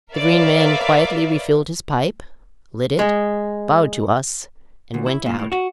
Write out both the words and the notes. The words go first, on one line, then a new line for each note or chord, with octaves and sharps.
The Green Man quietly refilled his pipe, lit it, bowed to us, and went out.
A#4 B4 C#5 D5 E5 F5
G#3
D2
E4
A#2
A2
F#4